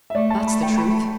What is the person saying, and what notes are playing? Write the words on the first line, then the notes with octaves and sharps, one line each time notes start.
That's the truth.
E5
A3 D5
A5
B5
G5
B5